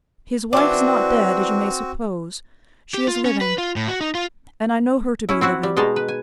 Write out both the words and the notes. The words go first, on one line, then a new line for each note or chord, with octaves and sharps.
His wife is not dead, as you may suppose; she is living, and I know her to be living.
E3 C4 D4 F#4
G4
F4
C#4
B4
F4
A2
F#4
D#4
F4
C#4 E4
C4 E4 F#4 F#5
G3
B2 G#3 D#4 A5
B4
G#5